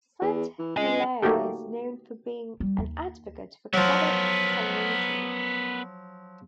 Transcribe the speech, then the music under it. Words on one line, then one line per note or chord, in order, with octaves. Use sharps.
St-Hilaire is known for being an advocate for Quebec sovereignty.
E2
E3
C#2 D#5 G#5
A3 A#3 D#4 F#4 G4 A4
G3
D#2
F3 F#3 B3 A#4